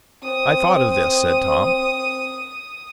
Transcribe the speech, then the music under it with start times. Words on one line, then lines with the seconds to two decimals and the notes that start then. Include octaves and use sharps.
"I thought of this," said Tom.
0.24 C4 D#6